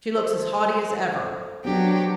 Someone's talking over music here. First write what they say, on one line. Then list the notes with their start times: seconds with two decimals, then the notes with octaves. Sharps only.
She looks as haughty as ever.
0.15 A4 C5
1.65 F#3 B3 D4 G4